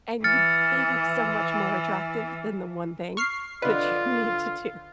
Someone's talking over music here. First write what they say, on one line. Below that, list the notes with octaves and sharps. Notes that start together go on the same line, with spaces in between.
and you they look so much more attractive than the one thing that you need to do.
E3 F6 A6 C#7
C#6 F6 C7
D3 F4 B4 D#5